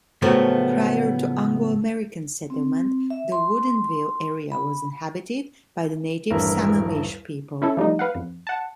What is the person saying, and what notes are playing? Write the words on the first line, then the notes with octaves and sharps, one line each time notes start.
Prior to Anglo-American settlement, the Woodinville area was inhabited by the native Sammamish people.
A2 C#3 F3 F#3 A3 B3
C4
E5
C6
B5
D#1 A1 G2 E3 E4 A#4
C#4 E4 A4
F3 G3 A3 D#4
B4 F5 F#5
F2
F#5 A5